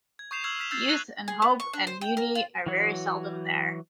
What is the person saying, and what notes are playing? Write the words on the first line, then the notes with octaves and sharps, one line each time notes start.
Youth, and hope, and beauty are very seldom there.
G#6
C#6 D#6 G6 C7 E7 F7
C#6 E6 F6 G#6 C7 F#7
F6 G6 B6 E7 F7
E6 F6 G6 A6 C7
F#6 D#7
G#4
B3
C#6
D4
C5
G5
A#4
F4
E3 F#3 F#4 C#5